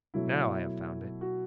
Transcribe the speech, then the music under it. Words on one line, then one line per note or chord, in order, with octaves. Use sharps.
'Now I have found it.
B2 F#3 A3 E4
F#4